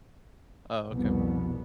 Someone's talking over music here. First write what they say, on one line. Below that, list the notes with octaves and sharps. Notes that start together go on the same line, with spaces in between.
Oh, okay.
C2 F2 B2 B3